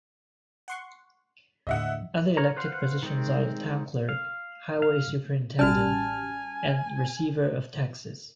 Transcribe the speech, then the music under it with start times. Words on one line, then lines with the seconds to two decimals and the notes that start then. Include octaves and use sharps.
Other elected positions are the Town Clerk, Highway Superintendent, and Receiver of Taxes.
0.68 F#5 C6 C#6
1.67 D#2 A2 D3 D#5 E5 F#5
2.37 A#4 C#5 A#5
2.57 B4 C5 F5 F#5 C6
3.03 D#3 G#3 C4
4.09 F5
4.82 F5
5.59 A1 G3 C#4 F#4 G#5 A5 F6